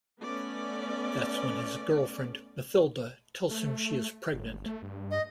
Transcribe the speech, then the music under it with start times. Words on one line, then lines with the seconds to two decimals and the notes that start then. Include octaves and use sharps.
That's when his girlfriend, Mathilde, tells him she is pregnant.
0.20 A3 B3 C#4 D5
3.51 A3
4.33 G1
4.66 A3
4.82 G2
5.11 D#5